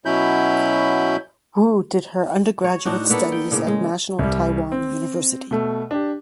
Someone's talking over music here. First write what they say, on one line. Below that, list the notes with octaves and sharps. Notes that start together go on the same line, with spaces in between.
Wu did her undergraduate studies at National Taiwan University.
B2 F#3 C#4 E4 B5 G6
C#5
A2 D4 D#4 F#4
A#3 B3 A4
G5
A2 C#3 A#3
G#3
C2 G3
C4
B2 A3
D4 G4